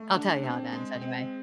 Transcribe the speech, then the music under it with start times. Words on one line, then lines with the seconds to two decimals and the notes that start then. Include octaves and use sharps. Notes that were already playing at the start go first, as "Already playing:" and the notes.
I'll tell you how it ends anyway.
Already playing: A3
0.15 D4
0.44 C4
0.72 G#3
1.02 C4